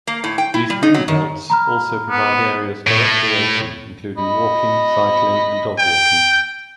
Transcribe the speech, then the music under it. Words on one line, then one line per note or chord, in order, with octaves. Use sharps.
These green belts also provide areas for recreation including walking, cycling and dog walking.
A#3
A2
G5
E4
G3
D#4
F#3
D#3
A#5 B5 F6
B3
A2
D#5 B5
G5